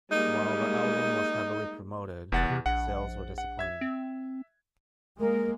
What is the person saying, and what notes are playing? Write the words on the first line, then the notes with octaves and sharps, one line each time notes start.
While the album was heavily promoted, sales were disappointing.
G3 G#3 A#3 D#4
F1 E2 F#5 A6
C3
A#1 F#5
F#5
E5 G#6
C4
G#3 A#3 A#4